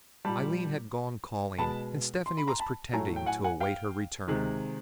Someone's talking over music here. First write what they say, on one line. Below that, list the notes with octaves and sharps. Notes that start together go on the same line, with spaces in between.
Aileen had gone calling, and Stephanie was pretending to await her return.
A#2 G3 A5 B5
B2 G#3 A5 B5
C6
B5
A#5 C6
A5 B5
A2 F#3 A3 G#5 A#5
G5
F#5 G#5
F#5 G#5
F5 G5
C3 D#3 G#3